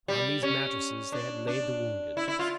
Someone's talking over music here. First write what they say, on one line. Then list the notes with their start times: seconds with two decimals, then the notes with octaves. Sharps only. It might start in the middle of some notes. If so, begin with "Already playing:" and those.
On these mattresses they had laid the wounded.
0.08 G3
0.43 C#4
1.12 D4
1.47 D4
2.17 E4
2.28 E4
2.39 F4